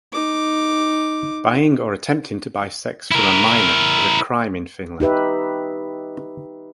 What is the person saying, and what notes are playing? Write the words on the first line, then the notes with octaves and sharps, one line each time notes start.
Buying or attempting to buy sex from a minor is a crime in Finland.
D#4 D6
E4 A#4
D#4 G4 B4 E5